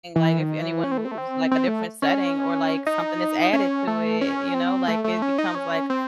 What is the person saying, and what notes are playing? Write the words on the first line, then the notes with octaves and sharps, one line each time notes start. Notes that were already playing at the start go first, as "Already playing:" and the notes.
like if anyone moves, like a different setting or like something is added to it, you know? Like, it becomes, like
E3
D#3
E3
C#4
C4
A3
C4
A3
C4
C4
A3
C#4
D#4
C#4
A3
C#4
C4
A3
A3
C#4
D#4
C#4
C4